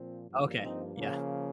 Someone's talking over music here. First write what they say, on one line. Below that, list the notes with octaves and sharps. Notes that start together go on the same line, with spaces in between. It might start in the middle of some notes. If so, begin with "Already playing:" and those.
Okay, yeah.
Already playing: A#2 F3 C4
G2 F3 A#3
C4 D#4
C#3 F3 A#3